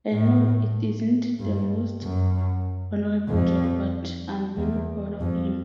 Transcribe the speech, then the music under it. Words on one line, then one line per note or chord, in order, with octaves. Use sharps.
I know it isn't the most honourable job, but I'm very proud of him.
A2
G2
F#2
F2
E2
F2